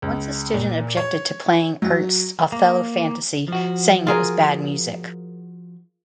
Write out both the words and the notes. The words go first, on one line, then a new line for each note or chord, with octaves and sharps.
Once a student objected to playing Ernst's "Othello Fantasy", saying it was bad music.
C#2
A#2
C#5
F#3
A#3
F3 F#4
F4 G#4 A#4